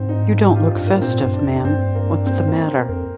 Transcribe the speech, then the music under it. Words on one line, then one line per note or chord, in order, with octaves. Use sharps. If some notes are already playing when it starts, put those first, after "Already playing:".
You don't look festive, ma'am; what's the matter?
Already playing: G#2 C4
D#4
G4
F4
D4
G2
G#2 A#3
A#2 C4
G2
D4
F2
G2 C4
A#3
C4
A#3
C4
F2 A#4